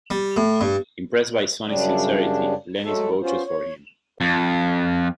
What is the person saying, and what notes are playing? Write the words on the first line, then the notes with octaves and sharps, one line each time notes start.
Impressed by Sonny's sincerity, Lenny vouches for him.
G3
A2
G2
F#2 C#3 G3 D4
F#3 G#3 A3 A4
B3 C#4 F4 C5
C#5
F2